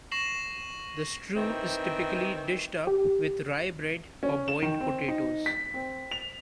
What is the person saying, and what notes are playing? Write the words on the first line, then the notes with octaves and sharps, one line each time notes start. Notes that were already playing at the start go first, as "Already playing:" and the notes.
The stew is typically dished up with rye bread or boiled potatoes.
C#6 A#6 C7 E7 F#7
D#3 E3 C4
G4
C#4
E7
D#3
C4
D#4
B6
C4
F7